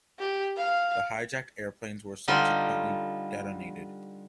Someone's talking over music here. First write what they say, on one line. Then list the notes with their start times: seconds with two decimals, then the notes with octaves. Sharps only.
The hijacked airplanes were subsequently detonated.
0.19 G4
0.57 F5
2.28 D3 G3 D#4 F4 B5 C6